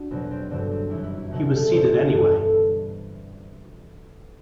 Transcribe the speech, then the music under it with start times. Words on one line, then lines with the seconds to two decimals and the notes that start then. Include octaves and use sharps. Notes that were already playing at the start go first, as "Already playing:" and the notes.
He was seated anyway.
Already playing: D4 F#4
0.10 E2 B2 F#3 C4
0.31 C4
0.51 G2 D3 F#3 C4
0.71 C4
0.90 F#2 E3 E4
1.04 E4
1.17 E4
1.31 C2 B2 F#3
1.50 A4
1.70 F#2 D3 F#3 C5
2.04 A4
2.10 G2 E3 B4
2.30 A4